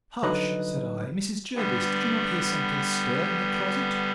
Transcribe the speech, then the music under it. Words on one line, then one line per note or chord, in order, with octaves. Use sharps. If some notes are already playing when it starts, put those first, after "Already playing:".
Hush! said I, Mrs. Jervis, did you not hear something stir in the closet?
D3 F#3 D#4 B4 D#5 F#6
D3 G3 B3